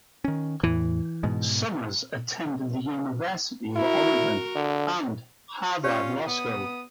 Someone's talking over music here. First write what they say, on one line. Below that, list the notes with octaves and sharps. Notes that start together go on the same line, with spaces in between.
Summers attended the University of Oregon and Harvard Law School.
D#3 C#4
E2 A2 E3
G#2 B2 G#3
E4 F#4 A#4
D3
C#4 F4 G4 C#5 D5
B3 D#6